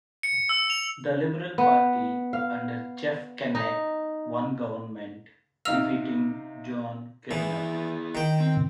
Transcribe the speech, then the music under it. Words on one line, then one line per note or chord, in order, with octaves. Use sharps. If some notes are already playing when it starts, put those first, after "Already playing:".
The Liberal Party, under Jeff Kennett, won government, defeating Joan Kirner.
C#7
E6
F7
B3
F5
D#4
C3 D#4 F5 E6 F6 F7
E3 E4 G#4 B4
D#3 G5
C4